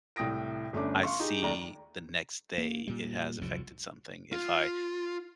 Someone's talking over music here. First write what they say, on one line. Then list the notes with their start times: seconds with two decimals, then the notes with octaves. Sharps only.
I see the next day it has affected something, if I
0.16 C2 A2 G5 D#6 A#6 D7
0.73 G1 A3 C#4 D4 D6
1.03 F5 C6 C#6
1.20 D#4 G4 G#4
1.42 D#2 A3 D5 A#5
2.58 A#3
2.87 A#2 G3
3.41 C2 F2 G#2 F#3
4.33 F4